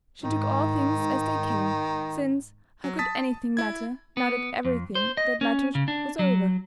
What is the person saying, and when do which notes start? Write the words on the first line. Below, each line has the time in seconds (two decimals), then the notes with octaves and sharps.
She took all things as they came, since how could anything matter now that everything that mattered was over?
0.24 G#2 D#3
2.84 F#3
2.99 A5 D#6 A6 B6
3.57 E4 G#6
4.17 B3
4.65 F2
4.95 C5
5.17 D#5
5.41 C#4
5.75 C#3
5.88 D4
6.19 F#3